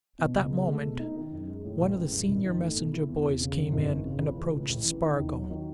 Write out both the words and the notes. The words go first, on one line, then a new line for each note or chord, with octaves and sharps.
At that moment one of the senior messenger boys came in and approached Spargo.
B2
C#2
G#3
A3
B2
D#4
D#3
F#2
G#3
A2
A1
G#3
F#2
G#1
D#3
A3
B2
E4
E2
E1
C#3
F#2
G#1
E3
C#3
C#2
E3
A2
A1
E3
D#3
D#2
F#3
D#3